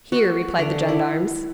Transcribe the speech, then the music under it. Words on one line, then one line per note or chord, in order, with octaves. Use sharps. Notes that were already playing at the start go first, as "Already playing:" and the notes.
"Here," replied the gendarmes.
F#4
D3
E4